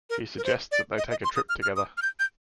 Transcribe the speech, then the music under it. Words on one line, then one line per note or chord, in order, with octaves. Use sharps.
He suggests that they take a trip together.
A#4
A#4
C5
D5
D#5
D#5
C6
D#6
F6
F6
D#6
F6
G6
G6